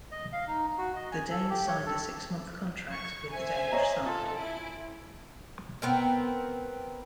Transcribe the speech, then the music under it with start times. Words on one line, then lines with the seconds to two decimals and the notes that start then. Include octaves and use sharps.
The Dane signed a six-month contract with the Danish side.
0.12 D#5
0.32 F5
0.48 D#4
0.78 F#4
0.95 D#5
1.12 G#5
1.31 A4
1.50 G4
1.67 C#5
1.86 A4
2.93 C#6
3.32 C5 E5 G#5
3.72 C#5 D#5 A#5
4.06 F4 A4
4.36 E4 G#5 D7
5.82 B3 C4 A#4